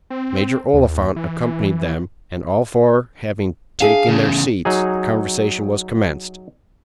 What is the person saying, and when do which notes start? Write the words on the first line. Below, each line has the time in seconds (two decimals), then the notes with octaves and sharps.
Major Oliphant accompanied them, and all four having taken their seats, the conversation was commenced.
0.10 C4
0.74 D#2
1.16 E3
3.81 D4 G#4 E5 F5
4.08 E2 C#3
4.65 F#3 D#4 G#4